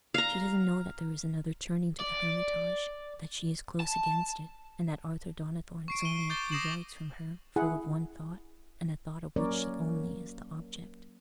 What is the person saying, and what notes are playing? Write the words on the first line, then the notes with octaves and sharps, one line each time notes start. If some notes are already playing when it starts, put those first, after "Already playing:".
She doesn't know that there is another turning to the Hermitage, that she is close against it, and that Arthur Donnithorne is only a few yards from her, full of one thought, and a thought of which she only is the object.
F5 A#5
D5
A5
C#6 C7 D7
D#7 G7
D6 G6 A6 G7
D6 D#6 A#6 C7 E7 F#7
E4 G#4 F#5
F#3 A#3 C#4 A#4 C#5 D5